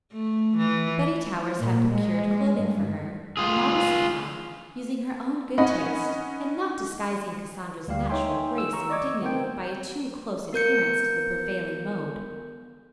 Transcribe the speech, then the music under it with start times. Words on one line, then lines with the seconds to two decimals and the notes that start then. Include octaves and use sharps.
Betty Towers had procured clothing for her--a modest supply--using her own good taste, and not disguising Cassandra's natural grace and dignity by a too-close adherence to the prevailing mode.
0.13 A3
0.57 E3
1.59 A#2
1.92 G#3
2.58 G2
3.37 F4 G#4
5.58 C#4 D#4 D#5 F#5 B5
7.88 D2 G3 G4 F5
8.09 D#4 C#5 E5 G5 G#5 C6
8.58 E6
8.73 A#5 C#6 E6
8.90 D5 D#5 C#6 D6 G#6
9.22 B3 C4 A#4 C5 G5
10.53 B3 A#4 G6 C#7